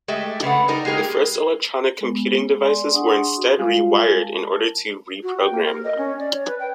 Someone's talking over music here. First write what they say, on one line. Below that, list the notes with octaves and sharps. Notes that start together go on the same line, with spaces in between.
The first electronic computing devices were instead rewired in order to "reprogram" them.
G#3 A3 G4 E5
C#3 A3 B4 F#5
G3 D#4 A#4
G#3 A#3 G4 G#4 A#4
G#3 B3
D5 G#5 C6
D4 G#4 F#5 C6 C#6 D#6
F#4
G3 G#3 F4 F5 G#5
A#4 A5
F#4
G5
A#3
A#4
D#5
C#4
D5
C#5
B4
G5